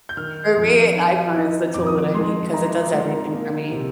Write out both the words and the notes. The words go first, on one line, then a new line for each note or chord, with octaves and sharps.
For me, an iPhone is the tool that I need 'cause it does everything for me.
G6
D#3 F6
F2
D#4
D#4
F2 D6
D#6
D6
G#3 C6
D#4 A#5
G#3
A#3
C3